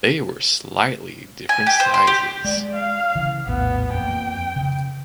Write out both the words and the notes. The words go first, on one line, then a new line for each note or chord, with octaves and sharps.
They were slightly different sizes.
G#5
G4
C5
C6
G4
G#3 D5
F5
C#3 E3
A#1 E2 A2 B3
F2 A#3 C4 G5
C#3